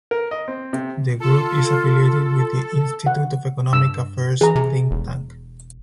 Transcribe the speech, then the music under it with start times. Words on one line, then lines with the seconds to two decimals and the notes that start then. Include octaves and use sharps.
The group is affiliated with the Institute of Economic Affairs think tank.
0.11 A#4
0.31 D#5
0.48 C4
0.73 C3
1.20 F4 A4
3.07 F#5
3.73 G2 E6
4.41 E3 G#4 A#5
4.55 C3
4.91 E1